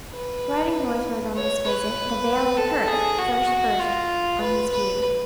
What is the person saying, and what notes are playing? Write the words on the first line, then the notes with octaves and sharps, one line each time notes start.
Riding northward on this visit the vale of Perth first burst on his view.
B4
C#5
B4
A4
G#4
F#4
F4
B4
B4